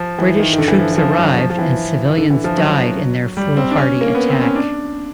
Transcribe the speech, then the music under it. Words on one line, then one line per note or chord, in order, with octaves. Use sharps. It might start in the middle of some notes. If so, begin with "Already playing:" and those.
British troops arrived and civilians died in their foolhardy attack.
Already playing: F3
E3
D#3
D#3
D3
E3
F3
E3
F3
F#3
F3
F3
E3
D3
E3
F3
F#3
G3
C4
D4
C#4
A#3
B3
C4
C#4
D4